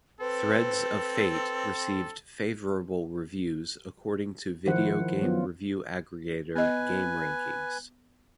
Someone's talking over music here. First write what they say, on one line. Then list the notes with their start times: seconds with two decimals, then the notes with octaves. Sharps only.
"Threads of Fate" received "favorable" reviews according to video game review aggregator GameRankings.
0.20 C4 A4 B4
4.66 D#3 F3 E4 C5 F#5
5.21 F#3 B3 F4
6.55 B3 B4 D#5 G#5